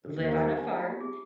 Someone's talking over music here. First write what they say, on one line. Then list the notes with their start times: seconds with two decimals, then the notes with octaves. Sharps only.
live on a farm,
0.18 D#2 D#3 A#3 C5
0.33 A#4
0.45 G4
0.58 D4
0.69 D#4
0.80 F4
0.90 G4
1.01 G#4